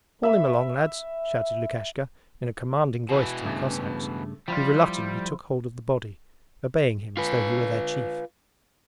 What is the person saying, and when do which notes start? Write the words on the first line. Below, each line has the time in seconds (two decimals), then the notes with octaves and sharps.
Haul him along, lads!' shouted Lukashka in a commanding voice to the Cossacks, who reluctantly took hold of the body, obeying him as though he were their chief.
0.23 E5 B5
3.09 B2 E3
3.45 G2 C#3 A3
4.48 F3 G3 E4 F4
7.17 F4 B4